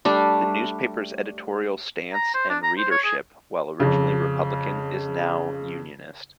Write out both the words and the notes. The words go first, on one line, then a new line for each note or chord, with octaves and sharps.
The newspaper's editorial stance and readership, while originally republican, is now unionist.
G3 A3 D4
A#5
C5
D4
A#5
C5
C#5
G#4
F2 C#3